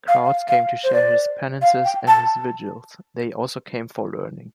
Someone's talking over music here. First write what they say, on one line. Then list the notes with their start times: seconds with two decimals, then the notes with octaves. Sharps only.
Crowds came to share his penances and his vigils; they also came for learning.
0.08 F5
0.25 F5
0.48 F5
0.84 C5
0.94 D5
1.62 F5
1.85 G5
2.08 A5